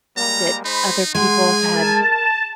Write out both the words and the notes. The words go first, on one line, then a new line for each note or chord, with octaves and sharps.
that other people have had
G3 G#3 A#3 A#5
G#3 D#4 C5 B5
G#3 F#5 G#5 C6
A#4 A5